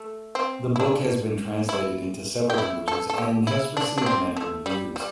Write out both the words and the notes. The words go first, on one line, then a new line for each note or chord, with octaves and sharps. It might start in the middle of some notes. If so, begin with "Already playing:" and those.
The book has been translated into several languages and has received many reviews.
Already playing: A3
C4
E4
D4
E4
G4
E4
A4
A4
G4
E4
D4
D4
C4
A3
G3
G3